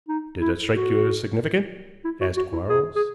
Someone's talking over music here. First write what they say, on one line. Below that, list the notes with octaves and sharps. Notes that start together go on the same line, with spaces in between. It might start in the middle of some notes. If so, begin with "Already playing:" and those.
"Did that strike you as significant?" asked Quarles.
D#4
E4
F#4
E4
F#4
F#4
E4
G#4
G#4